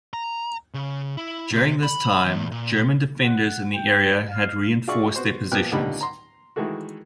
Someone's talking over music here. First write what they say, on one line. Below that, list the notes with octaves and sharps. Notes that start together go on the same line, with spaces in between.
During this time, German defenders in the area had reinforced their positions.
A#5
C#3
E4
C3
B5
E2
A#2
F#5
G5
F5
F4 F#4 G#4 D5 E5 C#6
B3 F#4 C5
A#2 F3 B3 G5 F6 F#6
C#2 A#2 D3 G3 D#4 B5
A#5 C6
D#3 E3 G#3 A3 F#4